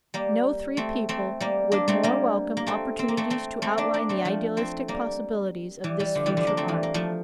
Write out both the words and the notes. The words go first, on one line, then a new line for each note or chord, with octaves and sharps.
No three people would more welcome opportunities to outline the idealistic possibilities of this future art.
G3 A#3
A3 C4
A3 C4
G3 A#3
A#3 D4
A3 C4
G3 A#3
A#3
A3 C4
C4
A#3
A3 C4
A3 C4
A3 C4
A#3 D4
A#3 D4
A3 C4
F3 A3
A3 C4
G3 A#3
E3 G3
E3 G3
D3 F3
E3 G3
D3 F3
A#3 D4
A3 C4
E3 G3
A#3
F3 A3